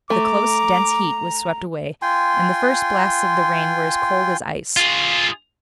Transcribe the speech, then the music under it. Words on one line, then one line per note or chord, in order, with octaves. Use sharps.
The close, dense heat was swept away, and the first blasts of the rain were as cold as ice.
A3 A#5 D6
F4 G5 G#5 C6
F4 G#4